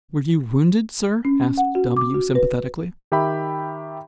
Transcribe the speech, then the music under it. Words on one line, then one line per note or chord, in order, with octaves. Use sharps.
"Were you wounded, sir?" asked W----, sympathetically.
C#4
F#5
F#4
D6
F#4
B4
D#3 G4 E5 G5 B5